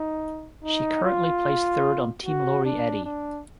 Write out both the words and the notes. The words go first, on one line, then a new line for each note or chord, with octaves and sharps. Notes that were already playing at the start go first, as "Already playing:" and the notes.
She currently plays third on Team Lori Eddy.
Already playing: D#4
D#4
F4
F#4
D4
D4